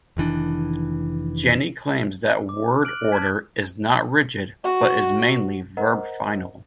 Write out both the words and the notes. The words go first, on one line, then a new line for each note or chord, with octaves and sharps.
Jany claims that word order is not rigid but is mainly verb-final.
F1 D#3 E3 D4
D6
F6 F#6 D7 F#7
A5 F6 G#6 B6
F#4
A#4 C5 D#5 F#5 A#5